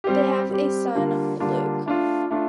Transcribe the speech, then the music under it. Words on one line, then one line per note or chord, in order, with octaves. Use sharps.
They have a son, Luke.
G3 C4 G4
G3 C4 G4
D3 G3 A#3 D4 F4
D3 G3 A#3 D4 F4
A3 D4 F4
A3 D4 F4